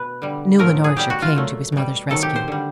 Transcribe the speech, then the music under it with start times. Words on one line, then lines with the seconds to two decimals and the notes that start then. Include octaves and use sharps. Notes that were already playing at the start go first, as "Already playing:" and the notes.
Newland Archer came to his mother's rescue.
Already playing: B2 B4
0.22 D3 G3
0.59 A2 F3 A3 A#4
0.84 G#4
0.97 B2 G3 G4
1.10 F#4
1.22 F4
1.35 A#2 F#3 A3
1.72 B2 G3
2.10 C3 D#3 F#3 A3 A4
2.23 G4
2.36 C5
2.48 D3 G3